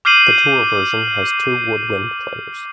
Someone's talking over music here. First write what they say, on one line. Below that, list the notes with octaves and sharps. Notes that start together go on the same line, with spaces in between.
The tour version has two woodwind players.
D6 F6 G6 C7 D#7 F#7